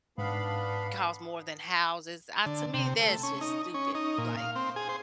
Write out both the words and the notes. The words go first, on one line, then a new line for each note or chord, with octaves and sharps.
cost more than houses. I To me, that's just stupid. Like
G#2 B3 D4 F5 B5
D3
C3
A3
C#4
D#4
C#4
D#4
A#2
F5
C4
G#4
C5